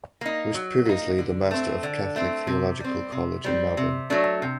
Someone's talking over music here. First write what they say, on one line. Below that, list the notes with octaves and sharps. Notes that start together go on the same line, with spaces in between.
He was previously the master of Catholic Theological College in Melbourne.
A#3 D#4
F#3
A#3 D#4
D3
A3 C4
D3
A3 C4
C3
G3 C4
C3
G3 C4
C3
F#3 A3 D4
C3